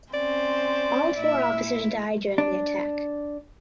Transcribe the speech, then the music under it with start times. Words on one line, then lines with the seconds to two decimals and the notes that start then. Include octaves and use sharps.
All four officers die during the attack.
0.14 C4 C#4 C5 D5
1.17 A#2 E4 E5
2.38 D4